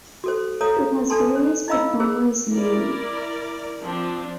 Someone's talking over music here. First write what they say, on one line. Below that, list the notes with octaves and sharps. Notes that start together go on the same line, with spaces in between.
It has various performers yearly.
F#4 A4 C5
A4 C#5 F5 A#5 D#6
D4 A4 A5 C6
C5
D#4 E4 D#5 F5 B5 E6
G#4 C5 E6
E4 A#4 D5
F3 C4 D4